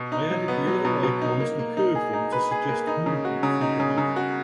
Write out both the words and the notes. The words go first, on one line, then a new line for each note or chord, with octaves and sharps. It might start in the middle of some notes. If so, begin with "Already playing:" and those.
I added the other icons and curved them to suggest movement from behind.
Already playing: B2
D#4
F#3
B3
F#3
B2
B2
D#4
A#3
A#3
D#4
G#4
D#4
B4
G#4
A#3
D#4
C#3
F#4
C#3
D#4
C#3
C#3
F#4